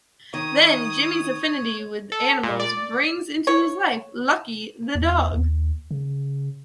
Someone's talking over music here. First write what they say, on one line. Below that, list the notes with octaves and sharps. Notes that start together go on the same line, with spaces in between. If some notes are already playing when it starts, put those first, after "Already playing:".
Then Jimmy's affinity with animals brings into his life 'Lucky' the dog.
D#3 C#5 D#6
A4
A#2
D5
C#5
E2
D#2
C#3